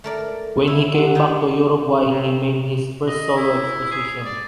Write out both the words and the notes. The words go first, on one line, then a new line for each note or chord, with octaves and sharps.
When he came back to Uruguay he made his first solo exposition.
A3 A#4 D5
E4 E6
G4 F#5
D#3 D#4
C3
D#5
E4
G#4
D5